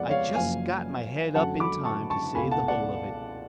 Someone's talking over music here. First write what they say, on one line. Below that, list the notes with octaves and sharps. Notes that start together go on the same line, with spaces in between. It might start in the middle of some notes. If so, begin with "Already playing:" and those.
I just got my head up in time to save the whole of it.
Already playing: F2 F3 G#3 B3 D5 F#5
C#5 F5
F#1 F#2 F3 F5 G#5
F#2 D3 F#3 A3 F#5 A5
B5 D6
A5 C#6
A5 C#6
C#2 B2 A3 G#5 B5
F#5 A5
D5 F#5